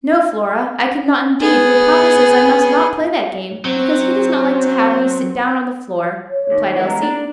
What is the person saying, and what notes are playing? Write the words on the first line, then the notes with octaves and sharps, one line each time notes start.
"No, Flora, I cannot indeed, for papa says I must not play that game, because he does not like to have me sit down on the floor," replied Elsie.
B3 G#4
F#3 C4
C#5
D#2
E3 G#3 F#5
A#5
D4